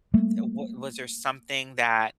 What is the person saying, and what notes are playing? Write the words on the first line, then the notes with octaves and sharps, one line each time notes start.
th wa was there something that
G3 A3 A#3